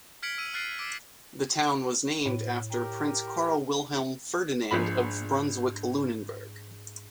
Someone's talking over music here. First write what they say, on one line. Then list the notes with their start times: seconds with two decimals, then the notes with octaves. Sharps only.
The town was named after Prince Karl Wilhelm Ferdinand of Brunswick-Lunenburg.
0.23 F6 G#6 B6 C#7 D7 F#7
0.38 E6 D#7
0.54 F6 F#6 A6 C7 D7 D#7
0.78 D6 E6 B6 D7
2.26 A2
2.72 G4 A#4
4.71 A#1 G#2 F3 D4 B5 C7